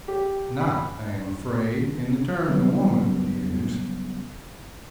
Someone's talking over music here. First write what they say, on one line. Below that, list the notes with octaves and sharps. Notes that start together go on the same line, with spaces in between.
Not, I am afraid, in the terms a woman would use.
G4
B5
C#3 F#3 G3 B3 C#4